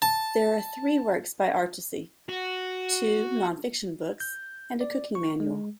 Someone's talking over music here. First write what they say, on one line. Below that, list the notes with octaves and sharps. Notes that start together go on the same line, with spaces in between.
There are three works by Artusi: two non-fiction books and a cooking manual.
A5
F#4
G6
D5
C#6
G#3